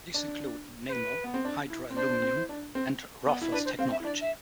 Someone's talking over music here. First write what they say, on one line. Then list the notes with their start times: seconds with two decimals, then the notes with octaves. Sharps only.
These include Nammo, Hydro Aluminium and Raufoss Technology.
0.14 D4
0.88 C5
0.92 B4
1.24 B3
1.34 C4
1.45 D4
1.70 E4
1.90 C4
1.96 D4 C5
2.09 D4
2.22 C4
2.36 E4
2.49 D4
2.75 C4
3.26 B3
3.42 E4
3.52 D4 B4
3.65 C5
3.79 C4 F5
3.91 E5
4.00 E4
4.04 D4 D5
4.21 E5